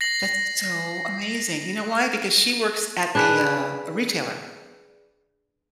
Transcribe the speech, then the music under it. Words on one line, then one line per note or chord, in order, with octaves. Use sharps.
That's so amazing. You know why? Because she works at a, uh a retailer,
A#6 C7 F#7
D4 G#4 B4